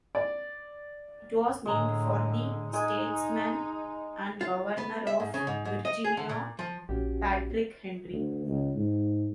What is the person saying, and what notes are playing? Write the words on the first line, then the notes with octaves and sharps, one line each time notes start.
It was named for the statesman and governor of Virginia Patrick Henry.
D5
A2 D3 G#3 A#5
G#3 D#4 G#5
F4
B3
E5
G#2
C#3
G#2
G#2
D#5
G#4
D3
A#2
F3
A#1 C#4 F#4 G4
D2
C#2
G#2